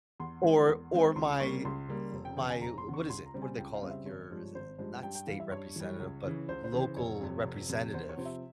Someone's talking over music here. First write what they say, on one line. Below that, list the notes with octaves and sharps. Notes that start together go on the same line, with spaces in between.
or or my, uh my w what is it? What do they call it? Your s uh, not state representative, but local representative
E2 C6
E3 G#3 C4
E2
E3 G#3 C4
C#2 C6
C#3 G3 A#3 C#6
C#2 C6
C#3 G3 A#3
F1
G5
E2 C#3 G5
G#5
F1 A#5
C6
E2 C#3
C#6
C#2 C6
A#5
C#3 G3 C4
G#5
C#2 G5
F5
C#3 G3 C4
E5
G#1 C#5
G2 F3 G#3
G#1 C5
G2 F3 G#3 C5
G2 G5
G5
E3 G3 F5
E5
G2 C#5
E3 G3
C#2
C#3 E3
C#2 C5
C5
C#3 E3
C5
F1 C#5
F2 C3
F1
F2 C3
E2 C5
C#5
C3 F3 C4
E5